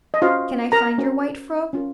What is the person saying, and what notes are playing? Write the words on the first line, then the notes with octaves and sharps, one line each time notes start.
Can I find your white frock?'
D#5
C#4 F4 F#4 C5 F5
A#4 A#5
C#4 F#4 C5
C#4 F4 A#4